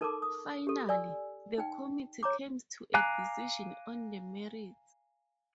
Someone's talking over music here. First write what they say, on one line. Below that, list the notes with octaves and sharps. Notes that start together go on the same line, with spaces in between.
Finally, the Committee comes to a decision on the merits.
D#4 A4 A#4 A5 C6 D6
D#6
G4 A4
D5 G#5 E6
D#4 G5
C#5 A#5 D6
F5 G#5 A#5 D6 F#6